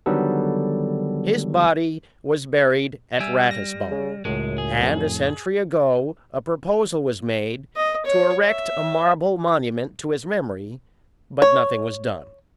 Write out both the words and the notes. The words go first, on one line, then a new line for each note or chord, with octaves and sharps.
His body was buried at Ratisbon, and a century ago a proposal was made to erect a marble monument to his memory, but nothing was done.
D3 D#3 F#3 G3 B3 A4
G3 E5 G#5 E6
A#6
C#3
C#2 F#2 A2 G#3
G#4
F2 A2
D#5
C#5
E5
C#5